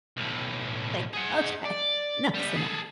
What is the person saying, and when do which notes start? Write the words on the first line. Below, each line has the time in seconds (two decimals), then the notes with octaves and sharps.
like, okay, enough's enough.
0.17 B1 A2
1.13 G#4 F#5
1.65 D5
2.34 G3 B3
2.57 G#4 A4